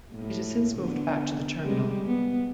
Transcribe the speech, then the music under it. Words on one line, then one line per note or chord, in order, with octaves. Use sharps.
It has since moved back to the Terminal.
A2
D3 B3
G3 G#3
B3